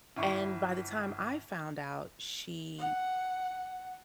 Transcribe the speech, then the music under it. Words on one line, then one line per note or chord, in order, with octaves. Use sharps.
And by the time I found out she
G1 E4 C#6 D6
F#5